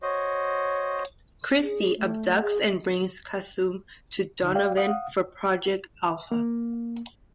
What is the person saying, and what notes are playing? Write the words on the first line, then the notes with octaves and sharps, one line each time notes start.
Christie abducts and brings Kasumi to Donovan for Project Alpha.
F#4 C5 C#5 D#5
G#4
A3
G#4
D2 D3 D#4
D5 F5 G5
F5 F#5 D#6
A#3